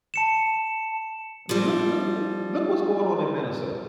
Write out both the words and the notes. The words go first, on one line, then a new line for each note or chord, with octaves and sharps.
I mean, look look who Look what's going on in Minnesota,
A5 C#7 E7
F3 G3